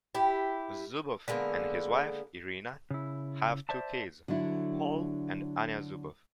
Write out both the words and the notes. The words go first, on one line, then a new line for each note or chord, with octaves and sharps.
Zubov and his wife, Irina, have two kids, Paul and Anya Zubov.
E4 G4
D3 G#3 A#3 B3
C#3 E4
C5 D5 E5 A5
D3 F#3 D4 E4